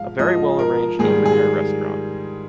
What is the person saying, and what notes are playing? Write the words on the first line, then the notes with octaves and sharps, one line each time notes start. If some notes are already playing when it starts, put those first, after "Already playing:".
A very well arranged open air restaurant.
Already playing: G#2 F3 F5
G#2 F3 D#5
A#4
G#2 D#3 G3 G#4
G#4